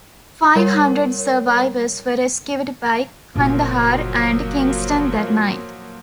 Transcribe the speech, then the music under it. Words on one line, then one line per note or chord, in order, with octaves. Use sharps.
Five hundred survivors were rescued by "Kandahar" and "Kingston" that night.
G3 A#4 C#5
F#1 A#2 F3 F#3 A3 A#3